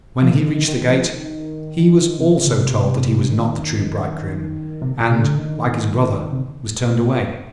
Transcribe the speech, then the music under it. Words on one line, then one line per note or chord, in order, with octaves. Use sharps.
But when he reached the gate he was also told that he was not the true bridegroom, and, like his brother, was turned away.
F3
D#3
D#3
F3
D#3
C3
D#3
D3
C3
D#3
C3
A#2
C3
D3
D#3
C3